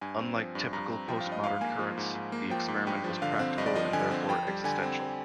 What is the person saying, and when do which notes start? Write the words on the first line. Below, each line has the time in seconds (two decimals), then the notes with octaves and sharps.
Unlike typical postmodern currents, the experiment was practical and therefore existential.
0.01 G2 G#5
0.19 C4
0.36 F3
0.55 G2
0.73 G2 A#5
0.90 C4 A#5
1.08 F3 G5
1.20 F5
1.26 G2
1.32 D#5
1.43 G#2 F5
1.61 A#3 G#5
1.79 F3
1.98 G#2
2.15 G#2
2.32 A#3
2.50 F3 G5
2.68 G#2
2.87 G2 G5
3.04 F3
3.22 D3 F5
3.39 C4
3.58 G2 D#5
3.66 D5
3.76 F3 D#5
3.93 D3 G#5
4.11 C4
4.29 F2 G5
4.47 G3
4.64 D3 G#5
4.83 C4